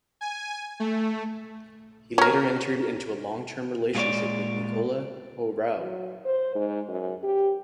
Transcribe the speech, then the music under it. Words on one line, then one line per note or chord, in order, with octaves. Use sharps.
He later entered a long-term relationship with Nicola Hoarau.
G#5
A3
C#4 A#4
A#2 G#3 C#5 D5
F#3
C5
G#2
F#2
G4